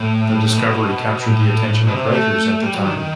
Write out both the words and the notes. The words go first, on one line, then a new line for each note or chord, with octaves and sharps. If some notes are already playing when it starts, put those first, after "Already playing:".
The discovery captured the attention of writers at the time.
Already playing: A2
B2
A2
B2
C3
A3
G3
F#3
D#3
D#3